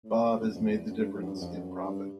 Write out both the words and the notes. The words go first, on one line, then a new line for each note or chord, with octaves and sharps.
Bob has made the difference in profit.
A2
A#2
F#2
F2
E2
F#2
G2
G#2
F#2
G2
F#2
F2
F#2
G2